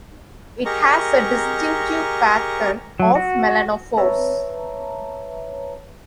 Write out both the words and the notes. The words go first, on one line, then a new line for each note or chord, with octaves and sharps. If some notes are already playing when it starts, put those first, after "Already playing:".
It has a distinctive pattern of melanophores.
G4 G#4 A#4 D#5 A#5 C#6
F#3
F#4
B4 C#5 E5 A5 A#5